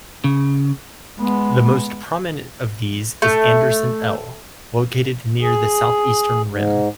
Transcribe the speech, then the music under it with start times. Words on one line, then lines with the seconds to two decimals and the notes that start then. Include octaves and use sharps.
The most prominent of these is Anderson L, located near the southeastern rim.
0.24 C#3
1.19 G#3 B3
3.22 A3
5.41 G#4
6.47 G#2